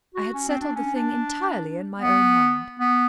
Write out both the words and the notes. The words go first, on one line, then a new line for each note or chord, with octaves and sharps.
I had settled the thing entirely in my own mind.'
F#4
C#4
C4
D4
C#4
D4
B3
B3